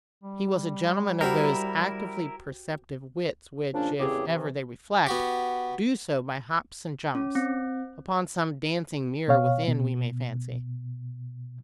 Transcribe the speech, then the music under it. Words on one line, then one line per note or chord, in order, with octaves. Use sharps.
He was a gentleman of those actively perceptive wits which, if ever they reflect, do so by hops and jumps: upon some dancing mirror within, we may fancy.
G3
E4 F#4 G4 A#4 C5
A#2 C#3 F3 C#4 D4
E2 A2 C#3 C4 G4 G#4
C3 E3
B3 F#4 G4
C#4
C4
B2 C#5 F5
B2